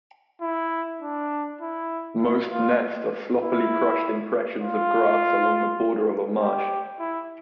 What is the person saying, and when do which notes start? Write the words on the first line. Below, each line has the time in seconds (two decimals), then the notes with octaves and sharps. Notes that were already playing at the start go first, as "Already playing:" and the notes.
Most nest are sloppily crushed impressions of grass along the border of a marsh.
0.41 E4
1.02 D4
1.61 E4
2.21 E4
2.51 F4
3.41 E4
4.60 F4
6.39 G4
6.99 E4